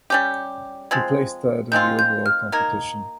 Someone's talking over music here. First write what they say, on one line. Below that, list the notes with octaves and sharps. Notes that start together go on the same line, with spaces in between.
He placed third in the overall competition.
G3 C#4 G4 G6
F3 G#3 C4 G#6
D#3 G#3 C4 F4 G6
G6
F6
A#3 D#4 A#4 G#6